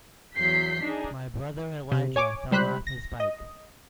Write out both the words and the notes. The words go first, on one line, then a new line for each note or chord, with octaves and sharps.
My brother Elijah fell off his bike.
E2 F#3 G6 B6 C7
D4 D#4 G#4
C3
C#5 G#5 D6
C#2 G3 C5 B5 F#6
A#6
D#5